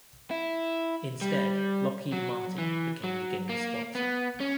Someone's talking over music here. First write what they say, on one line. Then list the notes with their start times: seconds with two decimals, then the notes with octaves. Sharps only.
Instead, Lockheed Martin became the game's sponsor.
0.31 E4
1.21 G3
2.12 F#3
2.58 E3
3.04 F#3
3.49 A#3
3.95 B3
4.40 C#4